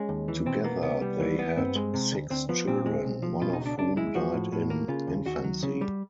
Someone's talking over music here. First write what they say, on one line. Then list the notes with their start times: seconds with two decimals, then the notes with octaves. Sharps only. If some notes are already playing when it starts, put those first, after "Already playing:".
Together they had six children, one of whom died in infancy.
Already playing: G#3 C#4
0.09 D#2
0.28 E3
0.46 B2 C4
0.64 A#3 B3
0.82 C2 B3
1.01 G3
1.20 E3
1.39 B3
1.57 G2 C4
1.75 G#3
1.94 C3
2.12 D2
2.30 D2 C4
2.49 F3 B3
2.68 A#2 C4
2.86 G#3
3.04 B1
3.22 F3
3.41 B2 F4
3.53 D#4
3.59 C#2
3.66 D4
3.78 C#2 D4
3.97 G#3 E4
4.15 F3 F#4
4.33 A2
4.52 A2
4.70 A#3
4.88 C#3 F4
5.07 D#2
5.26 D#2 F#4
5.44 F#3
5.63 C#3
5.81 G3